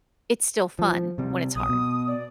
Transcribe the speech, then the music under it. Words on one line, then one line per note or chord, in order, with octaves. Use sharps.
it's still fun when it's hard.
F3
C3 G3
B1 D#6
B2
D5